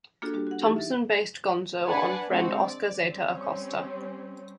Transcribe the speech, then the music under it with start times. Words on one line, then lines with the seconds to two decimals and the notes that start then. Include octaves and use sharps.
Thompson based Gonzo on friend Oscar Zeta Acosta.
0.22 A#3 D4 F4 F#4 G#4 A4
0.33 G3 D4 F#4 G4
0.47 F#4 F#5
0.60 E3 D#4 E4 G4 G#4
0.76 E5 A6
1.86 D4 B4 D5 F#5 G#5
2.29 G#3 C4 D4 F#4
2.63 D5
3.10 G3 C4 C#4